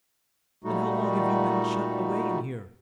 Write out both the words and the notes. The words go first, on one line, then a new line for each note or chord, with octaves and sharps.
"And how long have you been shut away in here?"
A#2 G3 A3 D#4 F#4